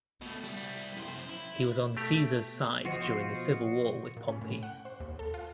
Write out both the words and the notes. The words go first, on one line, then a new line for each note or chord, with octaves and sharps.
He was on Caesar's side during the Civil War with Pompey.
B2 A3
C2 G3
F#2 C5
E4
B2 A3 G4
F3 F4 F#4 C5 D#5
A#2
C#4
A2
F#5
C5
D#2
A4
F4